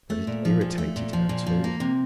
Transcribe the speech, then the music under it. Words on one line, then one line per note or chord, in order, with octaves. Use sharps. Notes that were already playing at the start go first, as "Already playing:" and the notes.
But it irritated her too.
A3
A#2
F3
A#2
A3
A#2
F3
A#2
F3
A#3
C3